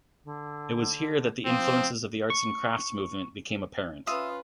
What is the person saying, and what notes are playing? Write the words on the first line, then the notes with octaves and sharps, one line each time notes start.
It was here that the influences of the arts and crafts movement became apparent.
D3
F3 C4
C#6
C#4 F4 B4 E5 D#6